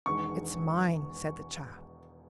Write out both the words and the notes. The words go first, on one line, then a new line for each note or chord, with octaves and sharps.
"It's mine," said the child.
E1 E2 D#3 G#3 C#6